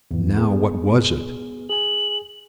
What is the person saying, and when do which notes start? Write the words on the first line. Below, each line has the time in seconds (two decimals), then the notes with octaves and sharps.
"Now, what was it?"
0.11 E2 G#2 E3
0.36 B3 G#4
1.69 G#4 G#5 F#7